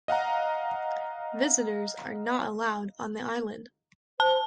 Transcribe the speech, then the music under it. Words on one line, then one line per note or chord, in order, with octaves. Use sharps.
Visitors are not allowed on the island.
D#5 F5 F#5 A#5
C5 A5